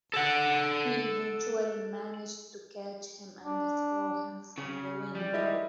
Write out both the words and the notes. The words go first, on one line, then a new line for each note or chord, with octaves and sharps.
He eventually managed to catch him and throw him from the window.
A4 F#5
D4
C#3
G3
G#3 E4 D#5